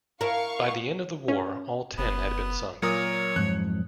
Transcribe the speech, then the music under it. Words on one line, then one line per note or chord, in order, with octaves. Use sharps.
By the end of the war all ten had been sunk.
E4 A#4 F5 C#6
C#4
F#1 B3
A#2 F#3 A#4 C#5 D#6
F2 G#2 F#6